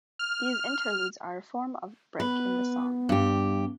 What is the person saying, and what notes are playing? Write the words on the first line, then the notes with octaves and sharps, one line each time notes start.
These interludes are a form of break in the song.
F6
B3 B4
G2 G4